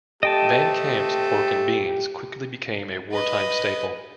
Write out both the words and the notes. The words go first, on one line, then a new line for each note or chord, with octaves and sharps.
Van Camp's pork and beans quickly became a wartime staple.
A3 C4 G4 D#5 G5 A5
B4 D#5